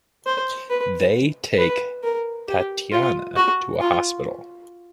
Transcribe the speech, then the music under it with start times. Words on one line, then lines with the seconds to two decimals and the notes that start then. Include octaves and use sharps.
They take Tatiana to a hospital.
0.26 C5
0.70 B4
1.59 B4
2.03 A#4
2.48 G4
2.92 F4
3.36 F#4
3.80 F4